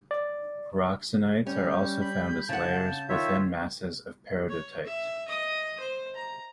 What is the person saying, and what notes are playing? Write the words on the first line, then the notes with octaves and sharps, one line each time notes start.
Pyroxenites are also found as layers within masses of peridotite.
D5
G3 C#4 G6
B5
C#3 F#5 A5
D#3 F4 C#5 E5
C#5
E5
D#5 D#6
C5
A#5